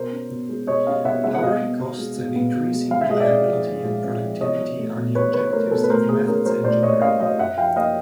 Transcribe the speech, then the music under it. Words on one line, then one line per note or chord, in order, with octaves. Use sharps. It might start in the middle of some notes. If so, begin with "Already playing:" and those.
Lowering costs and increasing reliability and productivity are the objectives of methods engineering.
Already playing: B2 A#4 C5
C#4
B2
G#3
B2 C#5 D#5
C#4 D#5 F5
B2 E5 F#5
G#3 E5 F#5
F#5
B2 D#5 F5
B3
B2
G#3
B2
B3
B2
G#3
G#2 F5
E5
G#3 D#5
D5 E5
C4
F3
G#2
G#3
C4
F3
E2 C#5 D#5
F#3
A3
B2
E2 B4 C#5
F#3 B4 C#5
C#5
A3 A#4 C5
B2 A4 B4
B4
A2 A#4 C5
A#3 G#4 A#4
C#4 G#4 A#4
F#3 A#4 C5
A2 C5 D5
A#3 C#5 D#5
C#4 D#5 F5
F#3 D#5 F5
F#2 E5 F#5
F3 F5 G5
A#3 D#5 F5